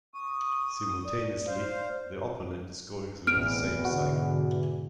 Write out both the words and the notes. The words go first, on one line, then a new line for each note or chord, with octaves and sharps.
Simultaneously, the opponent is going through the same cycle.
C#6 D#6
D5
C5 F5
A1 E2 B2 E3 C4 F6 D7
B1 G#2 D3 F#4